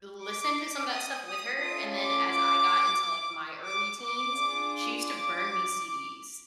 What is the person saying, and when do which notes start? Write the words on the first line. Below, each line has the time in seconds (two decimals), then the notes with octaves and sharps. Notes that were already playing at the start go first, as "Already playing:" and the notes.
listened to some of that stuff with her, and then as I got into, like, my early teens, she used to burn me CDs.
0.23 D6
0.92 D#6
1.27 D#6
1.61 A3 C#4 F4 A4 D#6
1.95 D6
2.29 D6
3.66 D6
4.01 D6
4.35 D4 F4 G#4
5.03 D6